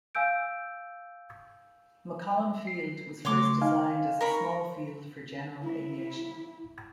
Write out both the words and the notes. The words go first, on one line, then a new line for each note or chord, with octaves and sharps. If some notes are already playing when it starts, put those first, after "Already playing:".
McCollum Field was first designed as a small field for general aviation.
F5 G#5 E6 G6 D7
C7
C#3 A3 C#5 C6 D6
D#4 F5 G#5
A#4 C#5 B5
E4